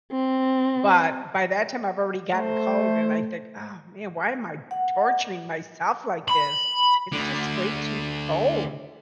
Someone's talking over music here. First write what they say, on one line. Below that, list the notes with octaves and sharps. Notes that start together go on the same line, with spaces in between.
But by that time, I've already gotten cold and I think, "Oh, man. Why am I torturing myself like this? It's just way too cold."
C4
A3 C5
F#5
B5
D2 D3